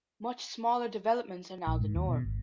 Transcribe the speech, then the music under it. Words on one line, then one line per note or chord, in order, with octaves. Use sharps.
Much smaller developments are now the norm.
A#1
G#2
D#2
B2
G#1